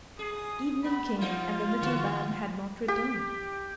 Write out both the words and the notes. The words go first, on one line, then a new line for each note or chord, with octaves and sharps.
Evening came, and the little band had not returned.
G#4 D#6
B3 B5
F3 G3 D#4 F4
D3 F#4
G4